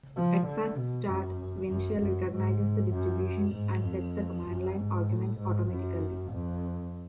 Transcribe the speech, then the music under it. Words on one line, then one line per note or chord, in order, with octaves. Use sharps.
At first start, WinShell recognizes the distribution and sets the command-line arguments automatically.
F3
D3
B2
F#2
F#2
F#2
G#2
F#2
G#2
F2
F#2
G#2
A2
G#2
F#2
F2